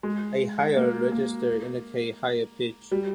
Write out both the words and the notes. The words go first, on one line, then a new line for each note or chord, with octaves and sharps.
A higher register indicates higher pitch.
G#3
A#3
A#3
G3